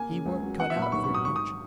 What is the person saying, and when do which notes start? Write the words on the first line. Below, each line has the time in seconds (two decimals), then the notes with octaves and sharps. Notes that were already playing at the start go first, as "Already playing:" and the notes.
He weren't cut out for a merchant.
Already playing: A#3 G#5
0.09 C#3
0.26 C#2
0.43 F#3
0.59 B3 F#5
0.70 E5
0.76 A#2
0.82 B5
0.92 B1 C#6
1.04 C#6
1.09 F#3
1.15 D#6
1.25 G#1 C#6
1.36 D#6